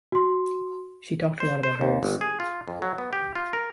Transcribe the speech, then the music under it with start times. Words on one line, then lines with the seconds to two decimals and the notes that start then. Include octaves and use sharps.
She talked a lot about hers.
0.12 F#4 C6
1.40 C5
1.63 C5
1.81 D#2
2.03 G1
2.21 G#4
2.40 F4
2.68 F2
2.82 F#3
2.98 B3
3.13 G4
3.35 F4
3.53 A#4